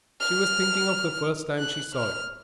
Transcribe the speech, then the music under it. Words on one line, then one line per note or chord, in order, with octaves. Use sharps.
She was thinking of the first time she saw it.
F6
F#6
F6